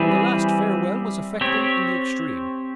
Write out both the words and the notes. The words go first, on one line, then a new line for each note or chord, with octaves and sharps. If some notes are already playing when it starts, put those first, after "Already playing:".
The last farewell was affecting in the extreme.
Already playing: E3 G3 C4 E4 G#4
C4 G4 C#5